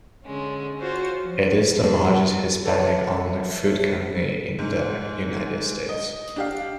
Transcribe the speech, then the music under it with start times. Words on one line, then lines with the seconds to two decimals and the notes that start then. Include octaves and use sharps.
It is the largest Hispanic-owned food company in the United States.
0.24 D3 G#3 C#4
0.80 F4 F#4 C5 C#5
1.19 F3
1.73 F2 G#2 B2 D4
2.65 A4 B4 C#5 D5 E5 A5
4.59 G#2
5.89 D#5
6.36 D4 G4 F5